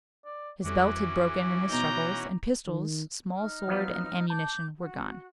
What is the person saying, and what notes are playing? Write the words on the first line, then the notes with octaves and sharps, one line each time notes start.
His belt had broken in his struggles, and pistols, small sword and ammunition were gone.
D5
F2 E3 G3 C#4 F#4 A4 D6
B2 B3 D#4 A#5 G6
D#3
D#4 F6
F3 F#3 B3
A5 D6 G6
F#4